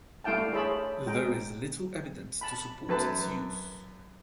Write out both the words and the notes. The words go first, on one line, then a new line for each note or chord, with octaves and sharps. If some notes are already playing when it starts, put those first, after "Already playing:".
There is little evidence to support its use.
G3 A3 E4 F5 G5 A5
G#4 C5 C#5 E5 A5 B5
G#3 G5 A#5
A5 B5
F#2 B4 A5